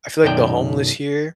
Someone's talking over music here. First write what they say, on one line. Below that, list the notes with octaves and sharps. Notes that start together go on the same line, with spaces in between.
I feel like the homeless here
B1 F#2 D#3 D5 G5